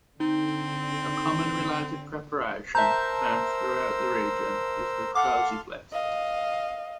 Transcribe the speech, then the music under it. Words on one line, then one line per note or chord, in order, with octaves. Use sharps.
A common, related preparation found throughout the region is the Croziflette.
D3 C4 D#4
A#4 C5 E5 A5 A#5 E6 G6
A4 F5 F#5 C6 D6
D#5 F5